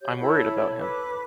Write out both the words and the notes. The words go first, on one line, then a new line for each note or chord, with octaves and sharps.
I’m worried about him.
G4 C#5 G6
E4 A4 C#5 B5
B4 D6